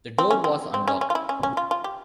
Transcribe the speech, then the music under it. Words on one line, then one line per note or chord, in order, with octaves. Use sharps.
The door was unlocked.
C4
C#4
C4
C4
C#4
C#4
F4
E4
C#4
C#4
F4
F4
G4